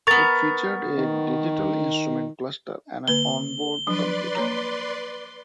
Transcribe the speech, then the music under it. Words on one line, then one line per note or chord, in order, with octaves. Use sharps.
It featured a digital instrument cluster and an onboard computer.
B3 A#4 C#6 A6
D#3
D3 A#3 B4 G7
F3 F#3 D4 B4 D5 C6
A#3 C#5 A#5